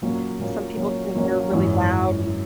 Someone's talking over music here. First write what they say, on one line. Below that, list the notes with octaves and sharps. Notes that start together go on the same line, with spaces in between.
some people think they're really loud and
A#2 F#3 A#3 C#4
A#2 F#3 A#3 C#4
A#2 F#3 A#3 C#4
A#2 F#3 A#3 C#4
G#1 F#2 E3